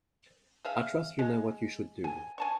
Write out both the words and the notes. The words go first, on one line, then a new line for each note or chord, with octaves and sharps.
I trust you know what you should do.
G#4 E5 F5
G#3
G#5
G#5 A5 C#6